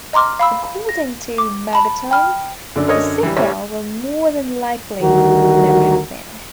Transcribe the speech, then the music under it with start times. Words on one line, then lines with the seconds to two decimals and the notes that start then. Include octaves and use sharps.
According to Megaton, the sequel will more than likely never happen.
0.13 D#5 A#5 C6 D6 F6
0.39 F5 B5 E6
0.89 A#6
1.38 D6
1.73 A5 B5
2.11 G5 B5 F6
2.75 F#2 D3 D5
2.88 A#4 C#5 D#5
3.23 E3 G3
3.37 A1 G3 C#5
5.02 D2 D#3 G3 F#4 A#4